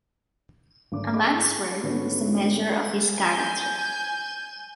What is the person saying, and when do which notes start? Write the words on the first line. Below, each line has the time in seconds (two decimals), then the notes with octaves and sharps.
A man’s word is the measure of his character.
0.92 G#1 D3 D4 D6
1.13 G#4 D#5 B5 C#6 D6
1.83 G#2 D3 G#3 B3 C#4 F#4
3.16 G#5 G6